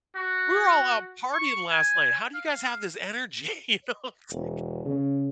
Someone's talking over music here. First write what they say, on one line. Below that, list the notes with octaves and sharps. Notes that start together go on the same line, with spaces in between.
We're all out partying last night, how do you guys have this energy, you know? It's like
F#4
C#6
G#5
F5
E1
C#3